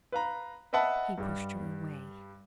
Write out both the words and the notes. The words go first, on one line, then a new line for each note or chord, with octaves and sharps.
He pushed her away.
B4 F5 A#5
B4 D#5 E5 F#5 A5 B5
G2 G3